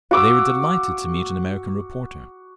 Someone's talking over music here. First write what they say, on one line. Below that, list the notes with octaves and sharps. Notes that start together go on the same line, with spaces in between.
They were delighted to meet an American reporter.
F#4 D6 E6